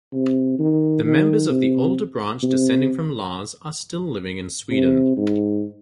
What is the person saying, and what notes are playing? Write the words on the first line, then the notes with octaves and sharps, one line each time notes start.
The members of the older branch descending from Lars are still living in Sweden.
C3
D#3
D#3
C3
C3
C3
G#2